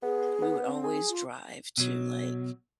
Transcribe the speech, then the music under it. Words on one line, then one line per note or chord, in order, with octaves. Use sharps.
we would always drive to, like,
B3 G#4
B3
C4
G#4
F4
B2 F#3